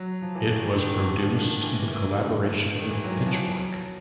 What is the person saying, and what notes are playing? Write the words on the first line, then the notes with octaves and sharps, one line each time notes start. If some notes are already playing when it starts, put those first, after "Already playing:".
It was produced in collaboration with Pitchfork.
Already playing: F#3
F3
E3
D#3
D#3
D3
D#3
F3
D3
D#3
E3
E3
D#3
D3
D#3
E3
F#3
F3
F#3